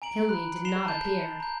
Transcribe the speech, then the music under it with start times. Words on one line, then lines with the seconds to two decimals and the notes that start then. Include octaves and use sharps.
Tilney did not appear.
0.02 G#5 A#5 D7 F#7
0.29 B5 F#6
0.65 C7 E7 F7 G7
0.85 A5 G6
1.40 A#5 G6